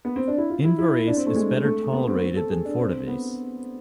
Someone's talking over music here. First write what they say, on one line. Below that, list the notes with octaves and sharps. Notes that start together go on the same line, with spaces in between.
Invirase is better tolerated than Fortovase.
B3
C4
D4
E4
F4
E4
E4
D4
C4
A3
G#3
A3
B3
C4
C4
A4
G#4
D4
C4
B3